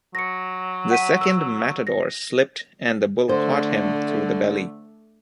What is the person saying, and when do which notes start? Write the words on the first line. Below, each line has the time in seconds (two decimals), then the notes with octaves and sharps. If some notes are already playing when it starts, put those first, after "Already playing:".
The second matador slipped and the bull caught him through the belly.
0.15 F#3 A#6 C#7
0.91 F#5 B6 D#7
1.21 E6
1.87 A#6
3.29 D3 A3 C5